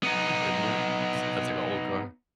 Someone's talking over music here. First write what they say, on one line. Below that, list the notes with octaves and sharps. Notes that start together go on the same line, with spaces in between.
isn't it? S that's like a old car.
B3 D#4